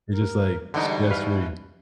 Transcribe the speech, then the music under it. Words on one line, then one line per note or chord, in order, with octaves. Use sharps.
You're just, like, stress free.
A#4
G#2 B2 D3 E3 G3 D#4
B4 F5